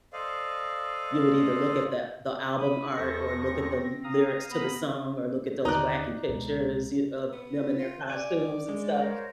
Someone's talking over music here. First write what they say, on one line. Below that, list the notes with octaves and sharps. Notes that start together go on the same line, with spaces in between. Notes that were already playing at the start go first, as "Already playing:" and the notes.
you would either look at the the album art, or look at the l lyrics to the song, or look at those wacky pictures you of them in their costumes and stuff.
A4 C5 D5 D#5 F5
B5 D#6
E2 F3 A4 C#6 A#6
C4
F5 A#5 D#6
B3 B5
D#2 D3 D#4 D5 A#5 F#6
C#2 B2 G#3
B3
F4
D5 G#5
G#3
A#4 C5 C#5